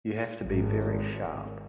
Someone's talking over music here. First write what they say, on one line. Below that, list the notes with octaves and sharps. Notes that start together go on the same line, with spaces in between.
You have to be very sharp.
G#1